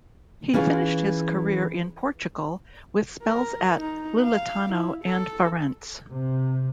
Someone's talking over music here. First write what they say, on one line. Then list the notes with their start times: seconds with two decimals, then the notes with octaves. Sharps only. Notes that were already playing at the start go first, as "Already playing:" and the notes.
He finished his career in Portugal with spells at Louletano and Farense.
0.54 E3 C#4 F4 G#4
3.22 A#4
3.77 D#4
4.23 F5
4.73 E4
5.05 A4
6.11 C3